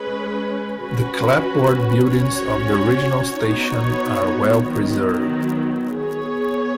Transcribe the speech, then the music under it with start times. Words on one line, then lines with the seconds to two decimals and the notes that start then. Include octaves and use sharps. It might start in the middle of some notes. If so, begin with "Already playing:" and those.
The clapboard buildings of the original station are well preserved.
Already playing: G#3 C#4 B4
0.80 C#4 F#4 B4
2.08 C#4 F#4 C#5
3.37 B3 D#4 F#4 C#5
4.66 D#3 F#3 B3
5.94 B3 G#4 C#5